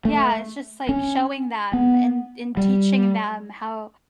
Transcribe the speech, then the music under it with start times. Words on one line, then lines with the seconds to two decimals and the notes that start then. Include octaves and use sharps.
yeah, it's just, like, showing them and and teaching them how
0.05 A3
0.89 C#4
1.73 B3
2.57 G3